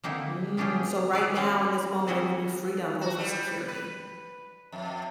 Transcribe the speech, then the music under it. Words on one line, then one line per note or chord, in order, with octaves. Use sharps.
Mm, so right now in this moment, it will be freedom over security.
D3 A#3 C4 D#4 E4
B3 C#4 D4 F4 G4 G#4
G#4 B4 D5 F5
A#3 C4 C#4 E4 F4
G3 C4 E4 F#4 G#4 A4
F#4
G3
B4
F2